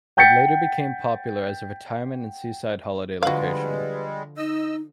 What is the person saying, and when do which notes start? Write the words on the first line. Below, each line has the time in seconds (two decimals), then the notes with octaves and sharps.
It later became popular as a retirement and seaside holiday location.
0.17 F#5 G5 G6 A6 B6 C#7
3.23 D3 F3 G3 G#3 F#4 B4 F5 D6
4.37 D#4 D#5 E6